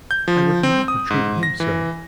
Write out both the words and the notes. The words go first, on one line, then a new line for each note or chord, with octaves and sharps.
I would not have treated him so.
G6
F3
C4
D#6
G#2
A#6
E3